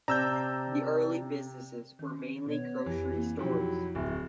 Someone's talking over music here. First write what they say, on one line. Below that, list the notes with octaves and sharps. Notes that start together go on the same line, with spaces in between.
The early businesses were mainly grocery stores.
C3 C5 D5 A5 A#5 E6 G6
D#3 C#4
B2 B3 C#5
F2 E3 G4
A#3 C4 E4
F2 B2 F#3 D#4 E4 G4
D1 E5